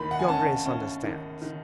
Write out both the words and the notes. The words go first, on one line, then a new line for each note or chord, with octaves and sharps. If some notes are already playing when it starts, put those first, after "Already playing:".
"Your Grace understands."
Already playing: D#2 D#3 B5
F#5
G#5
C#4 A5
C#4
D#3
D#3